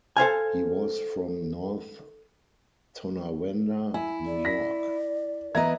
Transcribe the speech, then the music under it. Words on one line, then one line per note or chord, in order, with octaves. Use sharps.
He was from North Tonawanda, New York.
A4 C5 F5 G#5
E4 G#5
D5
A#6 B6
E3 B3 D#5 E5 A#5 G#6